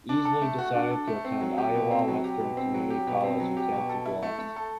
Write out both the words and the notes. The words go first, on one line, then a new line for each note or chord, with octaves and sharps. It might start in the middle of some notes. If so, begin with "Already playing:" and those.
Easley decided to attend Iowa Western Community College in Council Bluffs.
D4
A4
A3
F#4
D4
A4
A3
C4
F#3
G4
B2
C4
F#3
G4
B2
C4
F#3
G4
B2
C4
F#3
G4
B2
A4
E4
A3
A3
A4